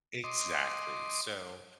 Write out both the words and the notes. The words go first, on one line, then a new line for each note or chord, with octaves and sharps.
Exactly, so
D#5 C6 D6